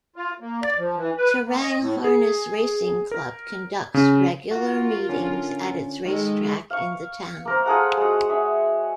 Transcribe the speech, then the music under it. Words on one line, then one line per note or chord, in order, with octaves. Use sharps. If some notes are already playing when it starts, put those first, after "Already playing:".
Terang Harness Racing Club conducts regular meetings at its racetrack in the town.
F4
A#3
D5
F3
E3
B4
A#3
D#5
A2
G#4
A#4
C#3
F4 F#4 A#4
D3 C#4
D#3 G#3 A4
F5 C#6
A#3 A#4 C5
F4 G#4 A4 F#5
G#3 F#4
G#4 C#5 E5